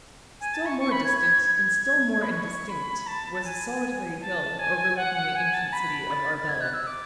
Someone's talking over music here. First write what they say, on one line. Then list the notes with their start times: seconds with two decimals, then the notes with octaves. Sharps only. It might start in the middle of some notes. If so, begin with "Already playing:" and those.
Still more distant, and still more indistinct, was a solitary hill overlooking the ancient city of Arbela.
0.40 G#5
0.53 A5
0.65 C#6
0.79 C#6
0.91 B5
1.04 G#6
1.16 G#6
1.54 G#6
2.22 B5
2.30 C#6
2.69 B5
3.07 A5
3.44 G#5
4.21 A5
4.59 G#5
4.97 F#5
5.35 G#5
5.53 A5
5.72 B5
6.11 A6
6.48 G#6
6.61 F#6
6.73 E6
6.86 D6